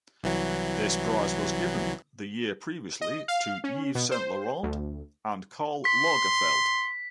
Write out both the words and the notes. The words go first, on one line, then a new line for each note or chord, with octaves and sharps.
This prize was given the year previously to Yves Saint Laurent and Karl Lagerfeld.
C2 E3 F#3
D#5
F5
C#4
B2
C5
D2
C6 B6